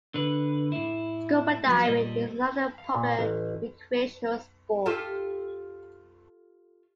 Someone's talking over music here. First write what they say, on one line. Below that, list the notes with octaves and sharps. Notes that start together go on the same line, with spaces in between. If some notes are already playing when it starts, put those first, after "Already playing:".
Scuba diving is another popular recreational sport.
D3 B4
A2 E4
F2 F#3 B3
A#2 G3 D#5
F5
A#2
A1
F4 G4 A4